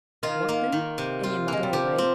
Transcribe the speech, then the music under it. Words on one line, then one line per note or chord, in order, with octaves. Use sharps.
'What then? and yo'r mother away.
D#3 F4
A#3
D#3
C3
F4
G#3 A#3
G3
F3 G4
C4